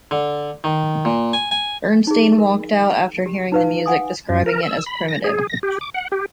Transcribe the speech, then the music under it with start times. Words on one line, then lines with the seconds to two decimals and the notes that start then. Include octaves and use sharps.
Bernstein walked out after hearing the music, describing it as "primitive".
0.11 D3
0.64 D#3
1.05 A#2
1.33 G#5
1.51 G#5
2.07 D#4 G#4
2.38 A#4
3.26 G4
3.52 D#4 B4 F5
3.86 F#5 G#5 D#6
4.29 F#2
4.46 A#4
4.63 E6
4.86 B5
5.08 A#6
5.24 G#4
5.49 A#6
5.63 G4
5.81 D6
5.94 F#5
6.12 G4